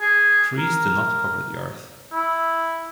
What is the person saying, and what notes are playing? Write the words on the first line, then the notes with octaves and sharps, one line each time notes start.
Trees do not cover the Earth.
G#4
A#4
E4